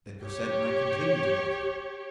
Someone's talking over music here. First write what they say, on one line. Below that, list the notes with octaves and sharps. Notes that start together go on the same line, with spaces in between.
That Cosette might continue to love him!
G4 C#5